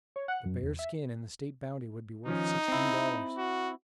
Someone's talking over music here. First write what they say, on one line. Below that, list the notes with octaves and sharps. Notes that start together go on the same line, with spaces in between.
The bear's skin and the state bounty would be worth sixteen dollars.
C#5
F#5
F#2
E2
E5
D#3 F3 C#4 D#4
C4 E4
F#4